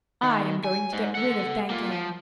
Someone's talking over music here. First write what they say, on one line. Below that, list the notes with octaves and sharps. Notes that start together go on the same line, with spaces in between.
'I am going to get rid of Thakane.'
D#3
G#5
G#2
A4 F#5
A#3 F4
F3